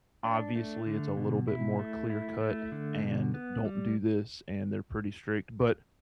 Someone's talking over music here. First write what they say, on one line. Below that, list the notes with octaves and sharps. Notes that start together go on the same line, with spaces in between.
obviously, it's a little bit more clear-cut and, "Don't do this," and they're pretty strict, but
D4
A3
D3
B2
E4
A3
E4
A3
D3
B2
B3
G3